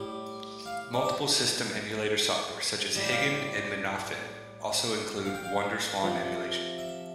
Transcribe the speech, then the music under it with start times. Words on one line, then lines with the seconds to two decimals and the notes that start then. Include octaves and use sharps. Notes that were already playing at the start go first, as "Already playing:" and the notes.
Multiple system emulator software such as Higan and Mednafen also include WonderSwan emulation.
Already playing: A2 G3
0.66 F5
0.93 D5
1.04 E5
1.42 E5
2.95 A2 G3
3.04 G5
3.11 F5
3.20 G5
5.25 F5
5.35 G5
5.44 F5
6.02 C3 F3
6.78 E5